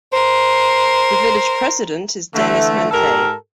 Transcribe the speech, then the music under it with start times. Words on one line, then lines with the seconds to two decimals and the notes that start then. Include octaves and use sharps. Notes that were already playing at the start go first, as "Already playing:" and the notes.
The village president is Dennis Manthei.
0.13 A#4 C5
2.35 D3 E3 A3
2.91 G#2 G4 A4 A#4